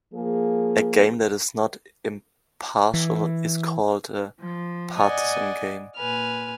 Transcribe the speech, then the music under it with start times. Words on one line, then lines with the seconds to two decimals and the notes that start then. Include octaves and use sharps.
A game that is not impartial is called a partisan game.
0.14 F3 A#3 G#4
2.94 E3
4.40 F3
4.96 D5 D#5 F#5 G#5
5.98 A#2 B4 G#5 F6